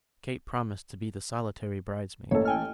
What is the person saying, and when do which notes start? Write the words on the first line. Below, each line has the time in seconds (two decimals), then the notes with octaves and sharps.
Kate promised to be the solitary bridesmaid.
2.31 A1 A3 A#3 A4 C#5
2.45 G5 G#5 F6